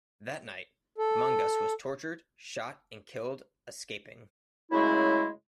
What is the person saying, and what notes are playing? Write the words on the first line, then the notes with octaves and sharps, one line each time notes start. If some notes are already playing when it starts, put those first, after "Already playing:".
That night, Mangas was tortured, shot and killed "escaping".
A4
F#2 C#3 G#3 A3 E4